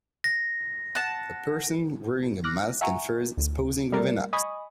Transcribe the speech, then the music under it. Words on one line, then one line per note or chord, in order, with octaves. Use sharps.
A person wearing a mask and furs is posing with an axe.
A#6
F#5 A5
D6 F6 F#6 A#6
E5 F#5 G#5 A#5 C#6
D2
G3 A3 A#4 D5
D#5 G#5 B5 C#6 D#6